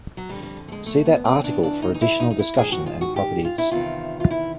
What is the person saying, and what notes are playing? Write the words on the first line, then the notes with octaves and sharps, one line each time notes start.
See that article for additional discussion and properties.
F#3
F2 D3 G3
G3
A3
G#3
A3
B3
C4
E2 C#3 E3 D4
D4
D#4
D#4
E4
D#4
D#4
E4
G#2 D#3 G#4
F#4
F4
F#4
G4
F4
E4
E2 C3 D#3 F4
F4
E4